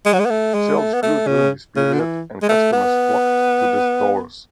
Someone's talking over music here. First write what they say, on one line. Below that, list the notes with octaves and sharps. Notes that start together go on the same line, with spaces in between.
Sales grew during this period and customers flocked to the stores.
G#3
F#3
G#3
B3
A3
G#3
A3
B3
A3
C#3
C#3
D3
E3
G#3
A3
B3